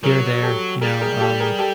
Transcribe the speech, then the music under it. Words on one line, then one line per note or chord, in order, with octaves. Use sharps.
here or there, you know, um,
F#3 G#4 A#4
G4 A4
G3 G#4 A#4
G#4 A#4
G4 A4
G#4 A#4
G4 A4